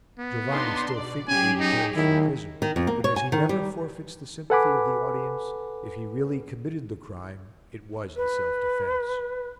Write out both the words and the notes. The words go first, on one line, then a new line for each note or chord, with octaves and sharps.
Giovanni still frequently returns from prison, but as he never forfeits the sympathy of the audience, if he really committed the crime it was in self-defence.
B3
D4 D#4 C6
B2 D5
F#3 C#4 G4 G#4 G#5
D#4
D#3 E4
D#3
F2
A#3
C#5
G#5
D#3
G3
A4 B4 F#5 G#5 B5 D6
B4